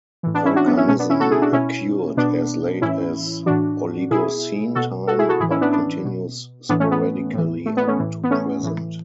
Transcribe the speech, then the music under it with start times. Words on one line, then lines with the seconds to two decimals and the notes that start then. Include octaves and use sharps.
Volcanism occurred as late as Oligocene time, but continues sporadically up to present.
0.23 A2 E3
0.34 B3 D4
0.45 C#4 E4
0.56 D4 F#4
0.67 B3 D4
0.77 C#4 E4
0.88 B2 A3 C#4
0.99 B3 D4
1.10 C#4 E4
1.20 F#4 A4
1.31 E4 G#4
1.42 D4 F#4
1.53 B2 C#4 E4
2.17 B2 B3 D4
2.81 A2 E3 C#4 E4
3.46 A2 E3 D4 F#4
4.11 B2 E4 G#4
4.75 B2 F#4 A4
5.07 F#4 A4
5.19 E4 G#4
5.29 F#4 A4
5.40 A2 E3 E4 G#4
5.51 C#4 E4
5.61 B3 D4
5.72 B3 D4
6.05 B2
6.69 A2 E3 B3 D4
6.80 A3 C#4
6.91 B3
7.34 A2 E3
7.66 A3
7.77 B3
7.87 A3 C#4
7.99 A2 E3
8.24 B3
8.31 A3 C#4
8.63 A2 E3